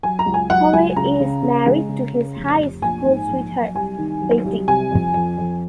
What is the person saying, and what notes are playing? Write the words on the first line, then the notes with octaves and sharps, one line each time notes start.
Howe is married to his high school sweetheart, Betty.
F#3 G#5
A#5
C#2
G#5
F#3 F#5
C#2 G#5
C#3 A#5
C#3
C#3
G#3
C#3
C#3
F1
F1
A#1 G#5
G#2
A#1
F#3
C2 G#5
D#3
F#3
C2
C3 G#5
F2
F2
F2